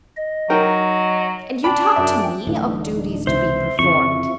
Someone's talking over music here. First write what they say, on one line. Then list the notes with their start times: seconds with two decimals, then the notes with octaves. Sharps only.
And you talk to me of duties to be performed!
0.16 D#5
0.50 F#3 D#4 A#4 G5
1.64 C#4 D4 G5 B5
1.96 F#2 E5
2.47 D1 A2 E3 D4 D#4
3.27 C#2 C3 E3 C5 E5
3.79 F2 C#3 C4 E4 F4 C#6